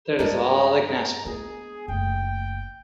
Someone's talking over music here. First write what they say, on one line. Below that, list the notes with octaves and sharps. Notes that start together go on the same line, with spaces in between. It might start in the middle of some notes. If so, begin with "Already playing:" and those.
That is all I can ask for.
G2 G#3 D4 A#4 A#5
B3 G#4
F#1 A3 G5